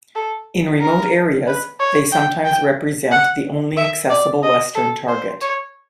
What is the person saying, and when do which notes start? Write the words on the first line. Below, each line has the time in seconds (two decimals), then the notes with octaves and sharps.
In remote areas, they sometimes represent the only accessible western target.
0.15 A4
0.81 A#4
1.48 B4
1.80 C#5
2.12 G5
2.45 G5
3.12 F#5
3.76 E5
4.10 D5
4.43 D#5
4.75 A4
5.08 C5
5.42 C#5